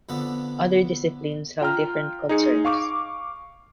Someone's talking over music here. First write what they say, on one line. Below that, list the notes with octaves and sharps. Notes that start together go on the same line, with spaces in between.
Other disciplines have different concerns.
F2 D3 B3 A4
F4 G5 A#5 F6
D#4 G#4 C#7
F5 C#6 D6